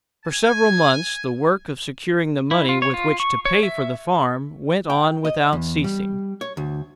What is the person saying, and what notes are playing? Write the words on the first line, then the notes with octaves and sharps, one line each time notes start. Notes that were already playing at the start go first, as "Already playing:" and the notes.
For several months the work of securing the money with which to pay for the farm went on without ceasing.
G#5
E4
F4
C#5
F4
C#6
C#5
E5
G5
D#5
E2
G3
C#5
D2